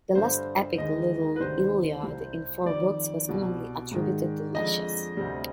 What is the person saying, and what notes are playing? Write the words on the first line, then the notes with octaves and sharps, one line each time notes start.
The lost epic "Little Iliad", in four books, was commonly attributed to Lesches.
G2 D3 G3 C5
D#2 D#3 G#3 D#5
B4
D2 C3 D#3 G3 C5
C2 C3 G3
F2 D#3 G3 D5
C2 B2 G3
G#2 D#3 G#3
F2 D3 G#3 D#5
D2 C3 G3